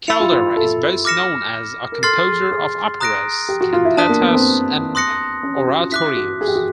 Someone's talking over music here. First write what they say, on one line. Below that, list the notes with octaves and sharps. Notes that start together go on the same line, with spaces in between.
Caldara is best known as a composer of operas, cantatas and oratorios.
E4 B5 E6 A6 C#7 F7
F4
F4
A4
D6 F6 A#6 C#7 E7
A#4
A4 C6 F6 A6 C7
G#4
G#4
A#5 D#6 F#6 A#6 D7
G4
F#4
F4
E4
D4 A5 C6 D#6 F#6 B6
A#3
B3
C4
C6 D#6 F#6 A#6 C#7
C#4
G4
F#4
F4
E4 D6 F#6 B6
F#4
G#4
G4
F#4